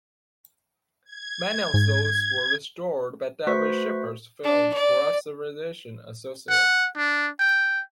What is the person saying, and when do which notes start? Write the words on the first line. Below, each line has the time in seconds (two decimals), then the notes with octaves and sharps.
Many of those were restored by David Shepard's Film Preservation Associates.
1.04 G#6
1.74 G#2
3.47 A3 F#4 B4 C5 C#6 B6
4.44 D4
4.74 D5
6.50 F#5
6.96 D4
7.40 G5